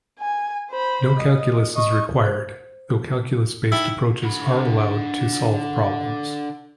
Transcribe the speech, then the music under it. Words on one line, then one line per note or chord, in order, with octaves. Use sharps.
No calculus is required, though calculus based approaches are allowed to solve problems.
G#5
C5 B5
D#5
D#5 C#6
C5
D#4 E4 G5 E6
D3 B5